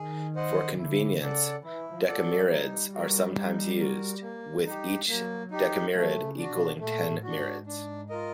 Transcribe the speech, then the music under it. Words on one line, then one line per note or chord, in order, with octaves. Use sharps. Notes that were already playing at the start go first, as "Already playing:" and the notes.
For convenience, "decamireds" are sometimes used, with each decamired equaling ten mireds.
Already playing: D#3 G#4
C5 D#5 F#5
D3 E4
C#3 A4 D5 F#5
E3 E4
F3
A4 D5 F#5
F#3
G3 D#4
F#4 A#4
D#4
F#4 A#4
A#3
D#4 G4
F#3 A#3
D#4 G4
F#3 A3
C#3
D4 F#4
B2
A#2 A3
A2
D4 F#4
G#2
D4
F4 A#4 D#5